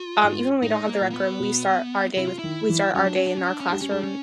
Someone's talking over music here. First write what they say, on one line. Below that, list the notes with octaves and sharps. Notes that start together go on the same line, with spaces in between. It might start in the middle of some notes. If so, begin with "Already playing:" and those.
Um, even when we don't have the rec room, we start our day with we start our day in our classroom
Already playing: F4
G#2
A2 D#4
A#3
A#2
A#3
B3
B2
C3 E4
F4
D#3 E4
E3
F#3 C#4
D4
C#4
D4
C#4
D4
C#4
G3 D4
C#4
G#3 D4
C#4